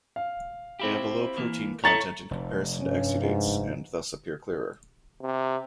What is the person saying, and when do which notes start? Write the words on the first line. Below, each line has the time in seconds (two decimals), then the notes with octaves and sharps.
They have a low protein content in comparison to exudates and thus appear clearer.
0.16 F5
0.80 C4 E4 G4
1.37 E3 A#3
1.84 E4 A4 C#5 A#5 A6 C#7
2.31 F1
2.81 G2 C#4
3.21 G#2
5.22 C3